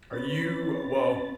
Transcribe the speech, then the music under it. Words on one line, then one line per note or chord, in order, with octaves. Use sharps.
Are you well,
C4 C#4 B4 A6